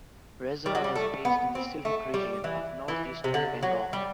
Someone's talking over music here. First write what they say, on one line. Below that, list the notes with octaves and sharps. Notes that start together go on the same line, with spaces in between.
Reza was based in the Sylhet region of northeastern Bengal.
G3
F#3
G3
A3
B3
C4
A3
G3
E3
E3
C3
D3
F#3
G3